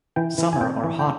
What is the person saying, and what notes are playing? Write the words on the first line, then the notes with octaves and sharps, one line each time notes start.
Summer are hottest in month of May and June.
E3 G5
E3
G#5
C4 G5
E3
G5